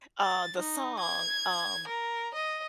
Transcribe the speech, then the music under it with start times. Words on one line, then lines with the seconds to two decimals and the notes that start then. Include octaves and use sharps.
uh, the song, um
0.21 A6
0.58 D#4
0.99 G#6
1.88 A#4
2.35 D#5